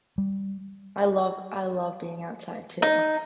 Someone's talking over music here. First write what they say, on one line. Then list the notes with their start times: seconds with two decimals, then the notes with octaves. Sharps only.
I love I love being outside too. You
0.18 G3
2.82 D#4